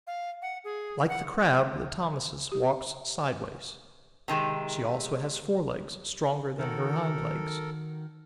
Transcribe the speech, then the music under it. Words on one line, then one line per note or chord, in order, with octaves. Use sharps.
Like the Crab, the Thomisus walks sideways; she also has forelegs stronger than her hind-legs.
F5
F#5
G#4
F#5
G4
C3 D#3 G#3
D#3 F#4 A4 A#4